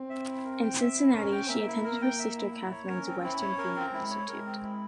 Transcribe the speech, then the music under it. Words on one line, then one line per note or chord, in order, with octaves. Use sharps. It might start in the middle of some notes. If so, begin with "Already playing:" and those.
In Cincinnati she attended her sister Catharine's Western Female Institute.
Already playing: C4
E5
E4
A#4
G5
E5
E4
C#4 A#4
G5
A#3 E5
E4
A#4
G5
E5
E4
A#3 E4
C#5
C#4 A#4
C4
C#4 E4
C#5
C#4 A#4
C4
G#3 E4
C#5
G#3 A#4
C4
E4